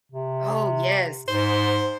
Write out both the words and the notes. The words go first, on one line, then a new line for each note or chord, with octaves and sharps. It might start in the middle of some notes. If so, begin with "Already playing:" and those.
Oh, yes.
C3
G#2 C5